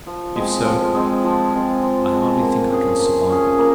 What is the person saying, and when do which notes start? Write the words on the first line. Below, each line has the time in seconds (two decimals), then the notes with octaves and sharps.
If so, I hardly think I can survive it.
0.07 F3
0.35 G#3
0.41 C4
0.65 F3
0.95 G#3 C4
1.24 F3
1.53 G#3 C4
1.82 F3
2.12 G#3 C4
2.41 A#3
2.70 C#4 G#4
2.99 A#3
3.30 C#4 G#4
3.58 A#3